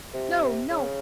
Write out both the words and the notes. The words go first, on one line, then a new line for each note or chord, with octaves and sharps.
No! no!
C3
C#3